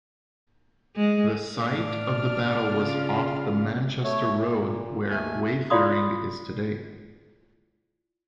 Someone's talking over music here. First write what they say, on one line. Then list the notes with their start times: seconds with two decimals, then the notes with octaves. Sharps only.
The site of the battle was off the Manchester Road where Wayfaring is today.
0.96 G#3
1.57 A2 D4 F6
2.72 C#3 F4
4.04 A3 C#5
4.46 A#2
5.11 D#2 A3 G#5
5.70 E4 F4 D5 F5 C6 D#6